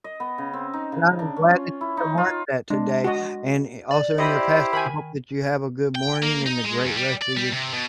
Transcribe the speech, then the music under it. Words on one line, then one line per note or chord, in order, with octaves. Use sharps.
that you have marked that today and, eh, also in your past. I hope that you have a good morning and a great rest of your
D#5
B3
C#3
C4
D#4
C#3
D4
C#4
F4
E4
D#4
F4
G#3 D4
F#4 D#5
D5
E4 G4 C5 D#5 B5
D#3 G#5 B5
G5
A#3
D#4
G#3
E2
G3
D5
G3
C3
B2